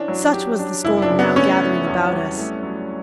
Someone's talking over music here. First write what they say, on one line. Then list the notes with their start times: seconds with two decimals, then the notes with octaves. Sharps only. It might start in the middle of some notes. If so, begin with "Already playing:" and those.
Such was the storm now gathering about us.
Already playing: E3 C#4 D4
0.08 F#3
0.33 G4
0.59 D4
0.84 F#1 E4
1.02 D4
1.10 C#3
1.19 B3
1.36 A3 C#4
1.61 F#3
1.87 E2
2.11 G3
2.37 A3
2.63 F#3